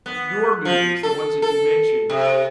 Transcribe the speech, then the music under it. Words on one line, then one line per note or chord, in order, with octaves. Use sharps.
your movies, the ones that you mentioned,
B3
F3
A4
A4
C3